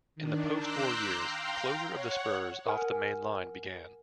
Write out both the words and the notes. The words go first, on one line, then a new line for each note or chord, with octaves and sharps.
In the post-war years, closure of the spurs off the main line began.
D#3 D4
A#5 C6 D6 E6 F#6 G6
F5 G5 A#5 C6
C#5 F#5
A#4 F#5 G#5 F6